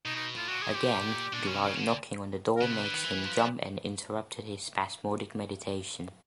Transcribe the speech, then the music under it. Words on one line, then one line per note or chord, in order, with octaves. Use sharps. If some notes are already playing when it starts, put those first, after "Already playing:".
Again, the light knocking on the door makes him jump and interrupted his spasmodic meditation.
B2 D#4
D#4
A2 F4
A#2 F#4
G#4
G4
A#2 D4
B2 C#4
C3
C#3 C#4
D3
A#4
C#3 B4
C3
D3
D#3
E3
F3